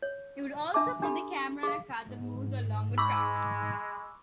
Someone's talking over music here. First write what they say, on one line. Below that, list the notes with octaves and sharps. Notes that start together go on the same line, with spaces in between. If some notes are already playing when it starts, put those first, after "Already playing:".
He would also put the camera on a cart that moves along a track.
C#5
D4 E5 A5 D6
D4 G4 A4 B5
G#4 F5
G#2
G#3 B5 C#6 D6 E6